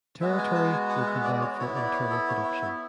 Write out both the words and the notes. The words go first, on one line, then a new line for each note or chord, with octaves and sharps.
Territory would provide for internal production.
G#3 B3 F#4 E5
G#5
A5
G#5
F#5
E5
D5
C#5
B3 E4 C#5
D5
C#5
A4
C#5
E5
E5